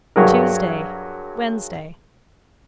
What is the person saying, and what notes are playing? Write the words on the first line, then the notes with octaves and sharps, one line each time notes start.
Tuesday, Wednesday.
G2 F#3 G#4 A#4